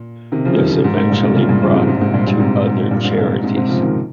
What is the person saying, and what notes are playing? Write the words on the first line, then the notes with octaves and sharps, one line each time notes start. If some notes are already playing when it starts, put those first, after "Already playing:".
This eventually broadened to other charities.
Already playing: A#2
C3 D#3
C#3 F3
D#3 G3
C#3 F3
G#2
G#2
G2 A#2
G#2 C3
A#2 C#3
G2 A#2
C#3 F3
G#2 C3
G#2 C3
A#2
G#2
G2 A#2
G2 A#2
G#2 C3
G#2 C3
G2 A#2
G#2
G#2 C3
G#2 C3
G#2 C3
C#3 F3
C3 D#3